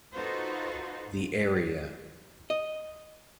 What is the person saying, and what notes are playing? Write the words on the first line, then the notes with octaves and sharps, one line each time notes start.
The area.
D#4 F4 F#4 A4 B4 C5
D#5